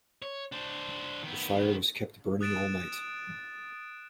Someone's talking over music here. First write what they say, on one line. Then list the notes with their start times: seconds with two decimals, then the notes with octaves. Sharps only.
The fire was kept burning all night.
0.22 C#5
0.52 D4 C5
1.23 D#3 B3
2.41 D#6 F#6 A6 D7 E7